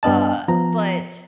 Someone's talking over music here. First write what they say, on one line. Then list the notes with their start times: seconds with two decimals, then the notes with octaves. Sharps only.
Uh, but
0.03 G2 B3 D4 D#5 A5
0.48 F3 B3 A#5